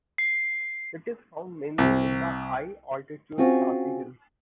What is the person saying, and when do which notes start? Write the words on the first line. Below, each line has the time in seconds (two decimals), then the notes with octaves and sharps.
It is found mainly in the high altitude grassy hills.
0.18 C7
1.78 C2
3.38 C4 C#4 F4 F#4 G#4